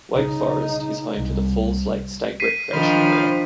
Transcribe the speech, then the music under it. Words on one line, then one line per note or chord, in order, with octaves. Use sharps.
Wake Forest is home to the Falls Lake State Recreation Area.
C#3 D#4
C2
B6 C7 D#7
D#3 F3 D4 C5 B5 F6